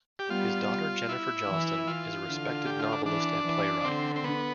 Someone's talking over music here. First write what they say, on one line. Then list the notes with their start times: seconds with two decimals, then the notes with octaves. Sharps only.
His daughter Jennifer Johnston is a respected novelist and playwright.
0.19 G4
0.30 G3 B3 F4
1.09 E4
1.48 E3
1.87 F4
2.28 D3
2.67 G4
2.79 F4
2.92 D4
3.06 E3 D4
3.45 E3
3.85 D3 C4
4.16 C4
4.24 B3